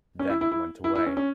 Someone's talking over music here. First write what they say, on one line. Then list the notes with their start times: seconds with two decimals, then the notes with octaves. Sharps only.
Then it went away.
0.19 C#4
0.30 E4
0.41 E4
0.52 E4
0.84 E4
0.95 E4
1.06 C#4
1.17 C#4